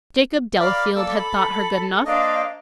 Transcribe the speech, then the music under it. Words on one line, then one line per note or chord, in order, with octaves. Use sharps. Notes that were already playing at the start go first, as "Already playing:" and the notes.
Jacob Delafield had thought her good enough!
A#4 D5 F5 B5 D6
A#3 A4 D5 E6
B5
A#3 D4 C5 D#5 F5